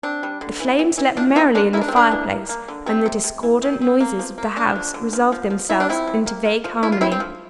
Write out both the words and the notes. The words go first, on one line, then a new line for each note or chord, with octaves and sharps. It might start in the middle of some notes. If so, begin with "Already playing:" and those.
The flames leaped merrily in the fireplace and the discordant noises of the house resolved themselves into vague harmony.
C4 D4
G3
D3
E3
E3
E3
F3 D4
D3 C4 E4
D3 D4
A#3 E4
D4
C4
A#3 D4
E3
A#3
A#3
D3
C3 C4
C3
C3
E3
C4
C4
A#3
F3
A#3
D3 D4
F3
D3
F3
F3
F3
C3 E4
D4
F3 C4 E4
C3
A#3
A#3
F3
F3 E4
F4
D3 C4 E4
C4
F3